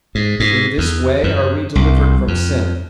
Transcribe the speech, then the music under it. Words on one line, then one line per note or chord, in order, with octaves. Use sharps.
In this way are we delivered from sin.
G#2
G#2
E2
F#2
C2
F2